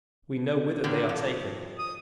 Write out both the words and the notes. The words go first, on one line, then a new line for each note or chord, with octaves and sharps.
We know whither they are taken!
D3 D#3
F2
D#6